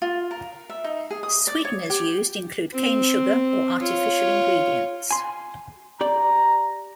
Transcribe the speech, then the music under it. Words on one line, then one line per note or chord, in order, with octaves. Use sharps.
Sweeteners used include cane sugar or artificial ingredients.
F4
A#4
E5
D#4
G#4
D#6
D5
C#5
G4
C4
F4 C#5
G#5 C6
G4 D5 A#5